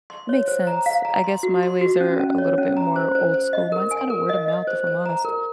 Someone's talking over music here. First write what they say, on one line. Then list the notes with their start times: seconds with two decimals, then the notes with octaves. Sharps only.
It makes sense. I guess my ways are a little bit more old school. Mine's kinda word of mouth, if I'm honest.
0.10 C6
0.29 C#5
0.48 C5
0.67 A#5
0.86 F5
1.05 A#5
1.24 C6
1.43 F#4
1.63 C6
1.81 F#4
2.00 C#4
2.19 C#4
2.38 C#5
2.58 C#4
2.77 A#5
2.96 C5
3.15 C5
3.34 C5
3.53 D#5
3.72 A#4
3.91 G#5
4.10 A#4
4.29 D#5
4.48 D#5
4.67 C5
4.87 C5
5.06 A#5
5.25 A#4